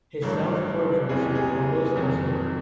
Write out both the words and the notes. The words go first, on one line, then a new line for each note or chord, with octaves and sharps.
His self-portraits were published and sold.
A1 G2 D#3 F#3
F#1 E2 C3 E3 G#4
G4
G#4
F2 C3 D#3 F#3